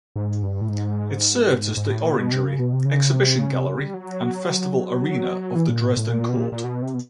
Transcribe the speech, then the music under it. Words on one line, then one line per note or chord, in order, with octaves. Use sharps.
It served as the orangery, exhibition gallery and festival arena of the Dresden Court.
G#2
G2
A2
G#2
G#2
A2
A#2
B2
C3
C#3
B2
C3
C#3
C3
C#3
C3
C#3
G3
F#3
E3
A#2
A2
A2
A#2
B2
A#2
A#2
B2
C3
B2